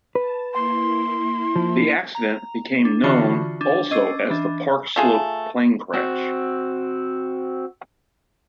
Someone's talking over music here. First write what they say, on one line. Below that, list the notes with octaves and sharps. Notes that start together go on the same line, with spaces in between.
The accident became known also as the Park Slope plane crash.
B4 A5
A#3 E4 C6
F3
A#5 F7
D4
D3 E3 D4 F4 F#4 C#6
D4
C#4 D#5 D6 E6 A6 C7
E3 D4
A3 F4 G#4
C4 F#4